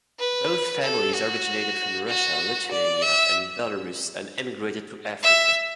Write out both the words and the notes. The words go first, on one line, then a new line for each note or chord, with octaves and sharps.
Both families originated from Russia, Lithuania, and Belarus and emigrated to Africa.
B4
A4
F#4
F#4
D5
E5
E5